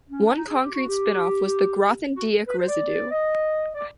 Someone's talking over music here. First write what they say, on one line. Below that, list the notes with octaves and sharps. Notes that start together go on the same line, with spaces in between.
One concrete spin-off was the Grothendieck residue.
C#4
D4
D#4
G#4
G4
F#4
G4
F#4
B4
C5
D5
D#5
D5